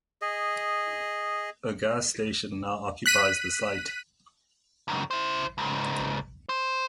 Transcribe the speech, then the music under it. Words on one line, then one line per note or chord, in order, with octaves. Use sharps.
A gas station now occupies the site.
G#4 D#5
F#6 B6 D#7
C#2 F#2
E4 C5
C#2 G#2
C5